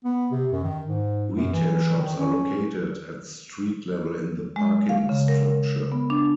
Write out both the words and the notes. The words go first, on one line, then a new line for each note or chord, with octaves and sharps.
Retail shops are located at street level in the parking structure.
B3
C3
F#2
D#3
G#2
F#2
E3
D#3
C#4
G#3
F5
C#3
A#4
B3
D4